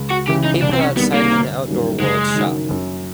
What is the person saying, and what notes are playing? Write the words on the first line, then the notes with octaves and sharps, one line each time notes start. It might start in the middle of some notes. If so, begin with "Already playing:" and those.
People outside of an Outdoor World shop.
Already playing: C#2
F#4
C#3 E3 G4
D#4
C2 D4
C4
C#4
C3 D#3 G3 B3
A#3
G1
F#2 D#3 G3 A#3
F#1 G#3
F#2 D#3
F#2